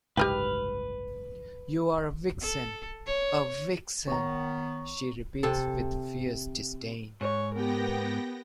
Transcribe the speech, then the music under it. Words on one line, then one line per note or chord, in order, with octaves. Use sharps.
"You are a vixen, a vixen!" she repeats with fierce disdain.
F#1 C2 G#2 G4 B4 D#5 G5 F6
A4
C#5
D#3 B3 C#5 A#5
C3 A4
G#2 C#5
B3 G4 A#4 G5 A#6